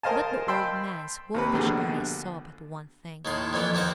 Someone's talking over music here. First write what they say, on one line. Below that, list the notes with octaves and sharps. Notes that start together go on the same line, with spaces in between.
But the old man's wolfish eyes saw but one thing.
A#4 C5 D#5 F5 G#5 A5
G5 A5 B5 C6 E6
D#2 C3 B4
A#1 B2 D3 G#4
D#2 A2 D#3 C6
F2 A#2 E3 B3
D#2 A#3 C4 C5 F#5